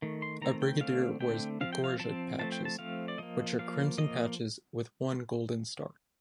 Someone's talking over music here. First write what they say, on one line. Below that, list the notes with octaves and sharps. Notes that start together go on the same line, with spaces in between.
A brigadier wears gorget patches which are crimson patches with one golden star.
D#3 A3
C6
D#3 A3 C4 A#5
G5
D3 A3 C4 F5
D3 A3 C4 G5
F3 C4 F5
G5
F5
F3 C4 A5
F3 A3 C4 A5
G5
A5
F3 A3 C4 F5
D5
F3 A#3 D#5
F3 A#3 F5
F3 A#3 D#5